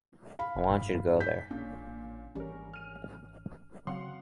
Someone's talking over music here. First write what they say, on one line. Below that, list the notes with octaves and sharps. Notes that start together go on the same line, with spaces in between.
I want you to go there.
F5 B5
F1
G2
G#2
G6 B6
A1 A#2 C#4 D4
G#1 E3 G3 C#4 A#4
F6 D#7
C#3 F#3 C4 F5 F#5 C6